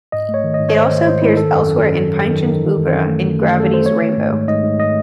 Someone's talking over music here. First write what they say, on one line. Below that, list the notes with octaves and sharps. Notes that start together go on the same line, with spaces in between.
It also appears elsewhere in Pynchon's oeuvre in Gravity's Rainbow.
G#2 D#5
A3
C#5
D#3
D#5
G#2
C#5
G#2 C5
D#3
G#2 C5
G#2 E4
D#3 A4
F#2
F#2
F#2
F#3
F#3
D#3
D#3
E3
F#2
F#2
A3
F#2
A3
F#2 A4
A3 C5
A3 C#5
D#3
G#2
G#2
G#2 D#5
G#2
A3 D#5